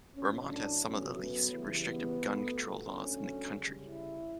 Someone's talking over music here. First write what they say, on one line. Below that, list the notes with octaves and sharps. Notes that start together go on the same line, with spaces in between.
Vermont has some of the least restrictive gun control laws in the country.
A2 F#3 A3 C#4
D4
B2 F#3 A3 C#4
B3
C#3 E3 G3
B3
B2 A3
D3 F#3 A3 C#4
C#3 G3
E4